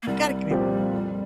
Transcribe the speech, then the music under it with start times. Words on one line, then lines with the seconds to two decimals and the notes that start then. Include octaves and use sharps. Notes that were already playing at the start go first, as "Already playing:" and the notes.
You gotta give me one.
0.03 A#3
0.07 C2 G3
0.50 A#2 F3 C4 G4
0.93 F2